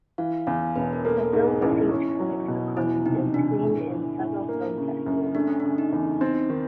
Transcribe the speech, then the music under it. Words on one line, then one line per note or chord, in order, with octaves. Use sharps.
The film received critics acclaim and screened in several film festivals.
E3 F5
E2 F5
E1 B4
A#4
A#3 A4
G#2 G#4
A1 E4
C#4
F#3
B2
E2 E4
C3 D#4
E2 D4
A2
E3
A2
A#3
C#3
F#2
A3 D4
C#4
C#3 D4
D#4
E2
C4 D#4
D#3